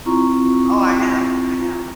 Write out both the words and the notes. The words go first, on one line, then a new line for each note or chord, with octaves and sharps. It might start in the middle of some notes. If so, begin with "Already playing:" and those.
Oh, I know, I know.
C4 E4 F4 A#5 C#6